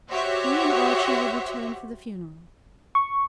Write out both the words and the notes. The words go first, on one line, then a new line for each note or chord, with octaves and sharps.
He and Archie would return for the funeral.
F#4 G4 C5 C#5 E5 F#5
C#6